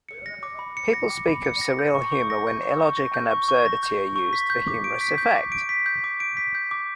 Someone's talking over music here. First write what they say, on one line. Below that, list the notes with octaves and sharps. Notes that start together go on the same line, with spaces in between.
People speak of surreal humour when illogic and absurdity are used for humorous effect.
C#7
A#6
D6
B5
C#7
A#6
D6
B5
C#7
A#6
G6
C#6
C#6
A#6
G6
C#6
C#6
A#6
G6
C#6
C#6
A#6
G6
C#6
C#6
B6
G6
D6
D7
B6
G6
D6
D7
B6
G6
D6
D7
B6
G6
D6